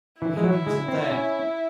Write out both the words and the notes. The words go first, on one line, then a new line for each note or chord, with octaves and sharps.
Hindley was not there.
E3 E4
G#3
F#3
G#3
C4
C#4